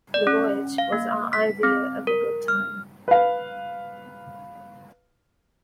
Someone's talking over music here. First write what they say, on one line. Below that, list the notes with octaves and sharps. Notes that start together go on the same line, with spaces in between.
The voyage was our idea of a good time.
D5
C#4
F5
A#3
B6
C4
A#4
F6
B4 F5